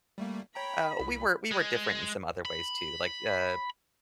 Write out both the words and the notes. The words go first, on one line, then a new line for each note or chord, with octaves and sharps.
uh, we were we were different in some other ways too. Like, uh,
G3 A3 A#3
C#5 G5 A#5 B5
C2
G#3
B5